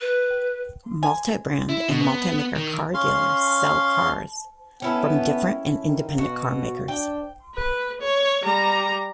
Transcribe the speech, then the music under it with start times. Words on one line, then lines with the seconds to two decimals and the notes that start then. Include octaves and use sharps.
Multibrand and multimaker car dealers sell cars from different and independent carmakers.
0.01 B4
1.03 G#5
1.69 E4
1.88 B2
2.01 B3
2.55 D#3
2.94 C#4 F5 C6
4.82 B3 C#4 E4 A4
5.85 D#3
6.18 B2 F#4
6.88 D4 G5
7.56 B4
8.01 C#5
8.43 G3 A#5